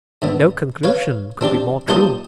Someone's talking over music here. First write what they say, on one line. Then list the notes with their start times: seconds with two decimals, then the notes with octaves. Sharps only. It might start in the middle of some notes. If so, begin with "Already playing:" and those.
No conclusion could be more true.'
0.22 G#2 D3 B3
0.83 B4 C#5 F5
1.41 C4 D4 G4 D5
1.88 A#2 D#4 G4 C5 A5 D#6